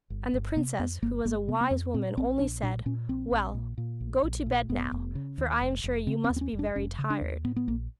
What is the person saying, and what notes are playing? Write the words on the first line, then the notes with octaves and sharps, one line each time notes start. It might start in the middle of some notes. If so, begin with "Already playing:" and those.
And the princess, who was a wise woman, only said: 'Well, go to bed now, for I am sure you must be very tired.'
G1
G1
C3 B3
F2 B3
G1 A#3
G1 A#3
C3 B3
B3
F2 C4
A#2 C4
A#1 C4
A#1 D4
A#2 D4
A#2 C#4
A#1 C4
A#1
A#2
A#2
A#1
A#1
A#2
F1 B3
F1
C#3
D#2
F1
F1
C#3 C4
C4
D#2
C4
C#4
F1
D4
F1 C#4
C#3
D4
D#2
A2 B3
B3
A#1 A#3